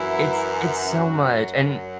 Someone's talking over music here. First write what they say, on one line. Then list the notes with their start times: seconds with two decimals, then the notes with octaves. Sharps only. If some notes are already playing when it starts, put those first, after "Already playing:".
It's it's so much, and,
Already playing: F#2 E3 E4
0.96 F#2 F#3 F#4